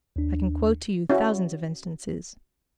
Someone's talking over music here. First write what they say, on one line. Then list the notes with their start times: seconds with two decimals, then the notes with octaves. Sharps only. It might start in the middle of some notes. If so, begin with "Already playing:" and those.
I can quote to you thousands of instances....
0.16 D#2 D4
1.09 C#4 E4 F#4